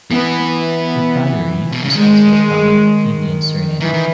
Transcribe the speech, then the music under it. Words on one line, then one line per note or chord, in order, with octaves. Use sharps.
Uppaluri is also a common Indian surname.
E3 B3
B3
B2
C#3
D#3 G#3
D#3 E3
D#3